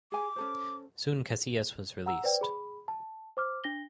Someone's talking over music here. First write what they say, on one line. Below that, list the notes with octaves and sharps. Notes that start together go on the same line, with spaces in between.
Soon Casillas was released.
G#4 G#5 D6
C#4 A4 C5
F#5 A#5 E6
B4 C5 D5 G5
G#4 B5
A5
C5 D6 F6
D4 A#6 G7